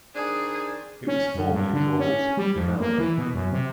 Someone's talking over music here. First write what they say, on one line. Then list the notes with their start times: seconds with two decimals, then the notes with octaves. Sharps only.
It was formerly called Imelda.
0.15 D#3 C4 D4 G#4
1.07 C#4
1.35 F#2
1.52 G2
1.73 D3
1.99 C#4
2.37 G3
2.56 F2
2.80 A#3
2.98 E3
3.18 B2
3.34 F#2
3.52 C3